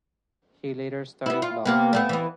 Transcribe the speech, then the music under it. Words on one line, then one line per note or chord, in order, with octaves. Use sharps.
He later studied Law.
B3 E4
F4
C3 A#3 B3
G3 A3 B3
E3 B3